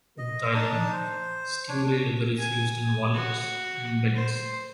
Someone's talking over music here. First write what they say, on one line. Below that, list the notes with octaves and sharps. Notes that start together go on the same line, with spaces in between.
In Thailand, stingray leather is used in wallets and belts.
D#5
D4 D#4 A5
C5
D4 C#5
G#5
F#4
C5